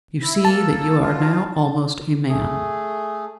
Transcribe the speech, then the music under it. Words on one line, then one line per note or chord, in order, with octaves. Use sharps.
You see that you are now almost a man.
E4
A#3 A4 A5
B2 F4
A3 G#4